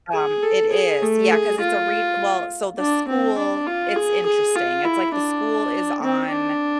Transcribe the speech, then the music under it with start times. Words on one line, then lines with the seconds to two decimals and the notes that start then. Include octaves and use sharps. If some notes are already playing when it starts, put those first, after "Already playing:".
Um, it is. Yeah, 'cause it's a re well so the school it's interesting, it's like the school is on,
0.14 G#4
0.43 A4
0.72 G#4
1.02 A3
1.31 G#4
1.61 F4
2.79 D4
3.08 C4
3.38 D4
3.67 F4
3.96 G#4
4.26 G#4
4.56 F4
4.85 E4
5.15 D4
6.02 C4
6.32 D4